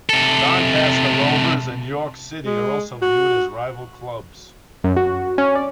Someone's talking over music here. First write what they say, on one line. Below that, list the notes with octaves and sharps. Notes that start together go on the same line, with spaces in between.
Doncaster Rovers and York City are also viewed as rival clubs.
C3 A4
G#3
F#4
F#2
F#4
C#4
D5